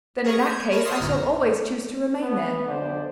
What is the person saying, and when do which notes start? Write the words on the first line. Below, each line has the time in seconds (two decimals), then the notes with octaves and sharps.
"Then in that case I shall always choose to remain there."
0.24 G#4 A#4 C#5 A#5 C#6
0.38 G6 G#6
0.71 A#4 C#5 A5 B5
0.85 E5 C6 C#6 D#6 F6 C7
1.00 A#1 F#2 A2 D3 A#5
2.21 B3
2.67 B1 F2 D3 D4 C5 D5